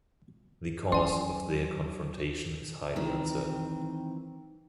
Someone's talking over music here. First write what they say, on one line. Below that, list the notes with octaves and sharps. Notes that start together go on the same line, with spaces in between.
The cause of their confrontation is highly uncertain.
F#3 C#4 D5 G#5 C6
D#3 E3 C4